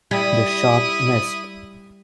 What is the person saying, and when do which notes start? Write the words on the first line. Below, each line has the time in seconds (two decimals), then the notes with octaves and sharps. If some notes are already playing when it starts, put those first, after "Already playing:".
The shot missed.
0.11 G3 E4 D#6